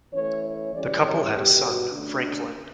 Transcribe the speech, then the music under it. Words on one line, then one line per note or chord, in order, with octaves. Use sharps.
The couple had a son, Franklin.
E3 A3 C#4 C#5
C#5
E3 G3 C#4 D5
C#5
B2 G3 B3 G4
F#4
D3 A3 C#4 D4